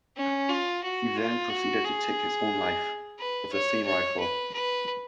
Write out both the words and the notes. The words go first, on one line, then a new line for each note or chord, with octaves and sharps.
He then proceeded to take his own life, with the same rifle.
C#4
F4
F#4
F4
F#4
G#4
B4
C#5
C#5
B4
B4